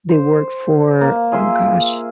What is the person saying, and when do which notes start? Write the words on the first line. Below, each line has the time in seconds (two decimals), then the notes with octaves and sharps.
they work for oh gosh,
0.09 C5
1.01 A#3
1.32 F4 G#4 E5 C6